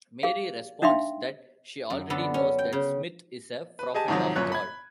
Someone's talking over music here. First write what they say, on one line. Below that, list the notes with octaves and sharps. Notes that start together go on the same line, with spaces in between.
Mary responds that she already knows that Smith is a prophet of God.
G#4 F5
D4 D#4 E5 F5 G5 C6
F#2
D3 B3 A4
C#4
G5
C#3
B4
G4 G#4 D#5 G#5 A5
G#2 C3 D#3 F3 F#3
G1 F#2 A#2 C#5 F#6
B5 G#6